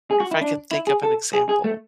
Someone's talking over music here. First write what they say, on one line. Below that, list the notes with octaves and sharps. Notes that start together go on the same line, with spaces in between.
Wonder if I can think of an example.
G#4
F#4
E4
D4
E4
G#4
A4
G#4
G#4
A3